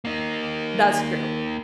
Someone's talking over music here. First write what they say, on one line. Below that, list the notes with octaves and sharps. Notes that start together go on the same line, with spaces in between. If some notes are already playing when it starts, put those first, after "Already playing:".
That's true.
A#3 D#4